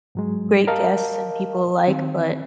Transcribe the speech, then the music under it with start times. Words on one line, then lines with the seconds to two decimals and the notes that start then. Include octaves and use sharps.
great guests and people alike, but
0.15 G#2 F#3 G#3
0.67 A#4 D#5 F5 A5
1.88 D#3 C4